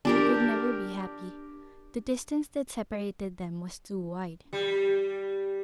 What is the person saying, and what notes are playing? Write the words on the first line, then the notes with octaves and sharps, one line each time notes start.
He could never be happy; the distance that separated them was too wide!
D4 G4 A#4
G3